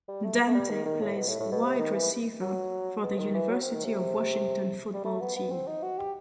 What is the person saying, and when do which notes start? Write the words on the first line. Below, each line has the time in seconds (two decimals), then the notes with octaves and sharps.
Dante plays wide receiver for the University of Washington football team.
0.08 G3
0.24 A3
0.39 B3
0.48 A3
0.55 G3
0.70 D#3
0.86 D#3
1.02 A2
1.17 B2
1.28 A2
1.40 A2
1.52 B2
1.63 C3
1.79 D#3
1.94 E3
2.41 F#3
3.03 B2
3.19 D#3
3.34 E3
3.50 F#3
3.62 C4
3.73 D#3
3.85 C3
4.94 G3
5.05 A3
5.21 B3
5.36 B3
5.52 C4
5.67 D#4
5.83 F#4
5.98 G4